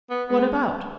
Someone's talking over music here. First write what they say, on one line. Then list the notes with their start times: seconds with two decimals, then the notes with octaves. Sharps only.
"What about?"
0.10 B3
0.28 G#3 B3